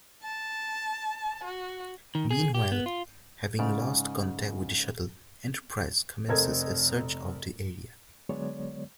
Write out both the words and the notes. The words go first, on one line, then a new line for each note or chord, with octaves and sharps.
Meanwhile, having lost contact with the shuttle, "Enterprise" commences a search of the area.
A5
F#4
D#3
G#4
G4
B3
F4
G#2 C#3 D5
F1 C4 A4 A#4 D#5 G#6
D3 F#3 G#3 B3 C#5 D5